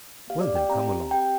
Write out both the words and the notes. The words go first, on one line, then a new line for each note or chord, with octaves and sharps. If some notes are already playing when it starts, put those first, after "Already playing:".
"Well, then, come along."
A#3 G4 F5
D5
G5
C4 G4 A#5
C4 G4 G5